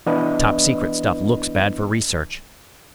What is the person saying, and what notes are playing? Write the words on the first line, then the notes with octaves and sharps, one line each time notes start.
The topsecret stuff looks bad for research.
E3 B3 D4 E4 B4 D#5